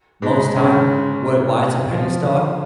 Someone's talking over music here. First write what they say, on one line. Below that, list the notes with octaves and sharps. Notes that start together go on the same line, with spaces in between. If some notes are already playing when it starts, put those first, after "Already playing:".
Most time, wa why it's a penny stock,
G#2 G#3
C#3 C#4
F3 F4